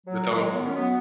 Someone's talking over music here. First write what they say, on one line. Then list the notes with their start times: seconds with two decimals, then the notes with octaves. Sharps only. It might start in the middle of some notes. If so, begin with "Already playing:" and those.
but don
0.07 F#3
0.29 D#3 G#3
0.53 F#3 B3
0.65 C#4
0.74 F#3 B3